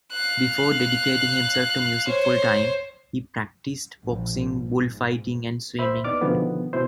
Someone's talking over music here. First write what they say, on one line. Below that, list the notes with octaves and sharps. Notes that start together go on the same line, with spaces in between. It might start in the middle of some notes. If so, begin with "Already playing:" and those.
Before dedicating himself to music full-time, he practiced boxing, bullfighting and swimming.
F5 F#6
C5 C#5
A#1
G#2
C5 E5 B5
D#2 B3 D#4 D5 D6 F6
B2 D3 D#3 F3 B3
B2 E4 C5